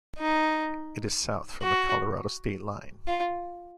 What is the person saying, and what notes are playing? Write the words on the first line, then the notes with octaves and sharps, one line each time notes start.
It is south from the Colorado state line.
D#4
F#4
F4